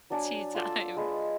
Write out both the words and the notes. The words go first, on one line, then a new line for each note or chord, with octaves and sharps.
tea time.
F#3 D4 G#5
F4 A4 D5 E6
G#3 B4 C#5